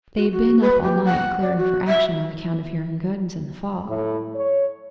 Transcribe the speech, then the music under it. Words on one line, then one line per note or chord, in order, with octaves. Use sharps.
They had been up all night clearing for action on account of hearing guns in the fog.
F#4
F#4
B4
G4
F#5
D5
F#4
E5
A2
C#5